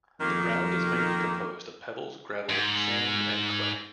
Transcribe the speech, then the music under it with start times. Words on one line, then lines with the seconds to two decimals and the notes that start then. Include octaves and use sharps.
The ground is mainly composed of pebbles, gravel, sand and clay.
0.21 F2 D#3 A#3
2.49 G#2